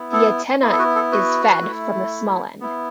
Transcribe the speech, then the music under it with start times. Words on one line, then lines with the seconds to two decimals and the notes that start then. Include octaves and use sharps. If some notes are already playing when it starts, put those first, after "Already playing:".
The antenna is fed from the small end.
Already playing: B3 E4
0.13 A4
0.62 B3 E4
0.72 A4
0.79 F#4 B4
0.95 A4
1.12 F#4 B4
1.62 A3 E4
2.61 B3 E4